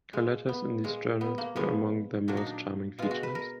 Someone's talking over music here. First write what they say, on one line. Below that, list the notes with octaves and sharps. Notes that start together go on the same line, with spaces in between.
Her letters in these journals were among their most charming features.
A#2 G#3
B3
A#2 G#3
B3
A#3
A#2 F3 G#3 B3
A#2 F#3 D4
D#4
D4
B2 G#3 F4
F#4
B4
A#4